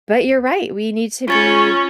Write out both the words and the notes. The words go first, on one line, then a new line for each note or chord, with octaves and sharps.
But you're right. We need to be,
C#4 F4 A6 C#7